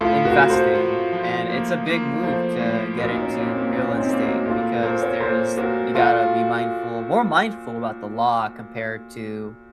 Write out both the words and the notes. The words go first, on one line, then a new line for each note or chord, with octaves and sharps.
Investing and it's a big move to get into real estate because there's you gotta be mindful more mindful about the law compared to,
A2 F4 A4
F#4 A#4
A2
A4 C5
F4
F3
A#3
A#3
F3 A4 C5
A2
A#2 F#4 A#4
D#4
C#4
A#3 C#4
C4
A#2 C#4
C#4
C4 D#4
A#3
D#4 F#4
A#2 F4 A4
A#4
A#2 A4 C5
A#4 C#5
A#2 A4 C5
A#2 F#4 A#4
F4 F#4 A4